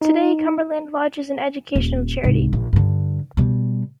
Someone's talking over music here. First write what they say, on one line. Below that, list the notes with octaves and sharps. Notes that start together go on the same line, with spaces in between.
Today Cumberland Lodge is an educational charity.
D#4
D#1
C2 G#2
A#1
G2 D3
B2 G3